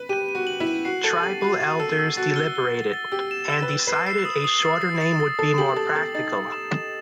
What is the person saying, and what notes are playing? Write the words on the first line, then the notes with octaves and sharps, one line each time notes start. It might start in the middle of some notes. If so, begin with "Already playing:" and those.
Tribal elders deliberated, and decided a shorter name would be more practical.
Already playing: B4
G4 D#7
D#7
F#4
F#7
E4
D#7
F#4 C7
A4 A6
A4
G4 F#7
F#4 C7
F#4 D#7
A4 E6
E6
F#4 A6
G7
G7
A6
A6
G4 E6
E7
E6
B4
E6
B4 C7
C7
D#6
D#6
A6
C7
A6
A6
A4 A6
G4 F#7
A4 A6
A4 A6
D#4 A6
A6
E7
E7